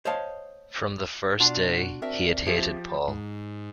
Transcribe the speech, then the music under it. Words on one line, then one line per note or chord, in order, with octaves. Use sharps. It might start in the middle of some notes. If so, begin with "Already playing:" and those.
From the first day he had hated Paul.
C5 C#5 D#5 F5 A5
B2 D4 F4 F#4 F#5
C4 D4 A#4 E5
F3 G4 G#4 E5 A6
G#2